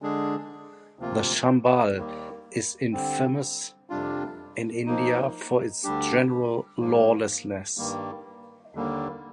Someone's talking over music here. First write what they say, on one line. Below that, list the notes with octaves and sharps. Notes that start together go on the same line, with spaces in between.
The Chambal is infamous in India for its general lawlessness.
D3 G#3 D4 G#4
D2 C3 F3 A#3 F4
D#2 D#3 G3 A#3
D3 G3 C4
F2 C3 G3 D4 F4
F3 A#3 D#4
D2 D3 G3 D4 G4
G#2 F3 A#3
G2 D#3 G3 A#3
D#2 D3 G3 A#3